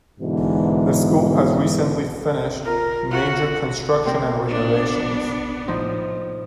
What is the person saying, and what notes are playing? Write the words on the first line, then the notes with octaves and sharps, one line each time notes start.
The school has recently finished major construction and renovations.
G#2 B2 D3 E3
F4 A#4
F#4 F#5
C3 C4 A#4
B3 D4
A2 F3 D#4